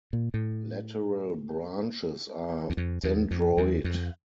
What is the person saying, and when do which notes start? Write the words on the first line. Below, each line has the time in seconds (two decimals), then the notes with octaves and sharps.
Lateral branches are dendroid.
0.13 A#2
0.34 A2
2.70 E2
2.77 F2
3.03 E2
3.31 F2
3.57 E2
3.84 F2